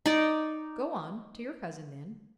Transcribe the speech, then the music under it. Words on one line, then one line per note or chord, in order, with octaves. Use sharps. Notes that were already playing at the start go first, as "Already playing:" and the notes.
"Go on, to your cousin, then!"
D#4 D5